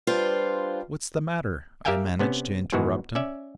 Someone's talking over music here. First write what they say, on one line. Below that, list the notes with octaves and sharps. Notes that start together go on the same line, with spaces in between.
"What's the matter?" I managed to interrupt him.
G3 D4 F4 B4 C5
G4 A#4 E5 F5 G5 G#5
C3 B3 C#4
G#2 B2 D#3 E3 G#3 F#4
C#4 D5 E5